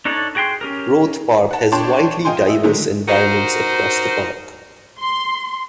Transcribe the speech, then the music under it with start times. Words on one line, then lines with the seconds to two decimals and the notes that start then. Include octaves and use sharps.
Roath Park has widely diverse environments across the park.
0.05 D4 D#4 A4 C#5 D5
0.35 F#4 G#4 G5 A#5 C6
0.61 C#4 G4 A#4
1.51 F#5 A5
1.72 D4 C#5 D5 G5 A5 C6
2.25 F4 D#5 G5 G#5 C6
2.47 D#5 E5
2.63 D3 D#3 F#3 G#3 A3
3.08 D#4 F#4 A#4 C5
5.00 C6